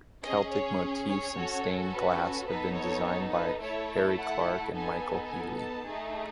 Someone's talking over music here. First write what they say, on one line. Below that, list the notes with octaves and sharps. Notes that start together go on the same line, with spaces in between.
Celtic motifs and stained glass have been designed by Harry Clarke and Michael Healy.
C#4 G#4 D#5
C#5
C#5
C#4 F#4 A4
B4
B3 D#4 A4 B4
C#5
B4
A3 E4 A4 C#5
F#5
B3 D#4 A4 G#5
G#5
A5
A3 D#4 G#4